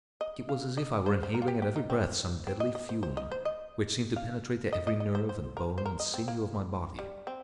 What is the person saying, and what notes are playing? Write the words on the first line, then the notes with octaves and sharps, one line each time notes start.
It was as if I were inhaling at every breath some deadly fume, which seemed to penetrate to every nerve and bone and sinew of my body.
D#5
F5
D#5
C5
C5
A#4
F4
G4
G4
D#4
C4
C4
D#5
D#5
C5
C5
D#5
C5
D#5
F5
D#5
D#5
D#5
C5
C5
A#4
C5
A#4
D#5
C4
A#3
G3
C4